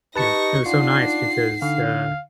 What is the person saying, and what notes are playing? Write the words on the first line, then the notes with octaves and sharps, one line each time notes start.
you know, it was so nice because, uh,
D#4 G4 B4 D#5 A5 C#6 A#6 C#7
D4 D#4 F4 F#5 C7
D3 F5